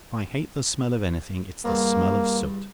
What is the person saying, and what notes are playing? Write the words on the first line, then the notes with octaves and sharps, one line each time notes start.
If I hate the smell of anything, it's the smell of soot.
E2 G2 A#3